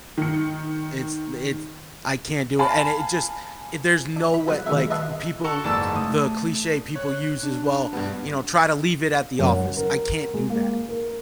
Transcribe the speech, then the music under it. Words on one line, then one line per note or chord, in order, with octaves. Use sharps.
It's d it's I can't do it, and it just i there's no way like, people t the cliché people use is, "Well, you know, try to leave it at the office." I can't do that.
D#3 C#7
F5 G#5 A5 B5
D4
B5
F#3 G3 B3 F#5
B2 D3 D#3 A3 E5
G3
B4 D#5 E5 F#5 A5 C6
F#4 A4 C#6
F#1 G#2 E3 D5 A5 E6
A3 D#6
C#5 F#6
D4
G2 B3
F#2
F#5
A#4
G#3
A#3
A#4